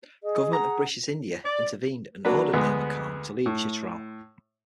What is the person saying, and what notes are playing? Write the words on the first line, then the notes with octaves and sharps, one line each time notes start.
The Government of British India intervened and ordered Umra Khan to leave Chitral.
G#4 D#5
F#5 A#5
D5
F#3 A#3 D4 B4
D2 G#3 B3
A2